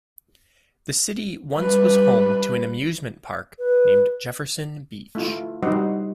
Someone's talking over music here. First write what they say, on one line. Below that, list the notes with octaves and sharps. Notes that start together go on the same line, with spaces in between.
The city once was home to an amusement park named Jefferson Beach.
G3 B4
B4
A3 E4 F4
G3 D#4 F#4 C5 D#5 F#5